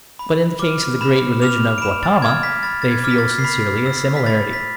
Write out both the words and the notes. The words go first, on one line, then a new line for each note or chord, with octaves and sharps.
But in the case of the great religion of Gautama they feel sincerely a similarity.
B5
D6 F6
B5 E7
D6 F6 F7
D7
B5 E7
A6
D6 F6 G#6
B6
B5 A6
A6
G#6
D6 F6
B6
A6
C7
B5 B6
E6
B6
B5 A6
B6